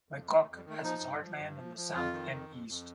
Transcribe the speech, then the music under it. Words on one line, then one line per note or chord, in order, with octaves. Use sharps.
Le Coq has its heartland in the south and east.
F2
D#3 A3
A3
F2
G3
D#3 A3
F3 D#4
G2
F3
G2
F3
F3
F2 F4
D#3
F2
F2
F2